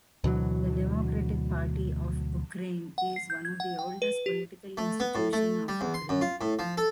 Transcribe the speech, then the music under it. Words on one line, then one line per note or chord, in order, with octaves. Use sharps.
The Democratic Party of Ukraine is one of the oldest political institutions of Ukraine.
D2 B2 E3 F#3
F#5
C7
G6
G#6
F#5
G5
B4
G4
A3
B3
A2
A3
G3
E2
C6
F#2
F4
A2
F3
A4